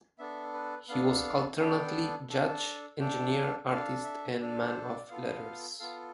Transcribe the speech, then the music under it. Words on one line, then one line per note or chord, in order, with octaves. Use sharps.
He was alternately judge, engineer, artist, and man of letters.
B3 D4 A4 E5
B4
B3 D4 A4 F5
B3 D4 A4 G5
D4 A4 A5
D4 A4 G5
D4 A4 F5
E5
D4 A4 D5
C5
D5
B3 F4 A4 F5
B3 F4 A4 F5